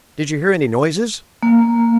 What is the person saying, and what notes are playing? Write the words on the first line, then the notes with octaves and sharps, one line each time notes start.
"Did you hear any noises?"
A#3